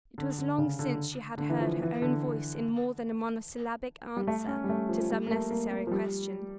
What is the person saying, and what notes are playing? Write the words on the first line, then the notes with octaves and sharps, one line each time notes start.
It was long since she had heard her own voice in more than a monosyllabic answer to some necessary question.
D3
D3
C#3
D3
D3
E3
F3
E3
D3
G3
A3
C#4
G3
A3
F3
F3
G3
A#3
A3
A#3
A#3
F3
G3